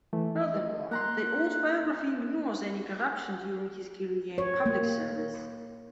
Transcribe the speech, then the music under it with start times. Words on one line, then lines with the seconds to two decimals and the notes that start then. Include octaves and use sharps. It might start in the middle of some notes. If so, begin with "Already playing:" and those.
Furthermore, the autobiography ignores any corruption during his career in public service.
0.13 E3 A3
0.41 D#5
0.91 A#3 A#5 C6 F#6
4.38 C#5
4.66 A#3